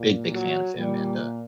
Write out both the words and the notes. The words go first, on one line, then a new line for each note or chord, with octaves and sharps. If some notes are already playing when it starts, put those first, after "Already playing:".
big big fan of him and, uh,
Already playing: A#2
F#3
A#2 G3